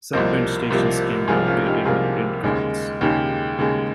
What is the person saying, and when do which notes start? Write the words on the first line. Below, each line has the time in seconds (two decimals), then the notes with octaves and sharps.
Some print stations can be operated with print cards.
0.13 C2 C3 F3 A#3 C5 D#5
0.71 C2 C3 F3 A#3
1.28 C2 C3 F3 A#3 F4 G#4
1.47 C#4 F4
1.66 D#4 G4
1.85 C2 C3 F3 A#3 F4 G#4
2.43 D#2 C#3 G#3
3.01 D#2 C#3 G#3 D#4 G4
3.58 D#2 C#3 G#3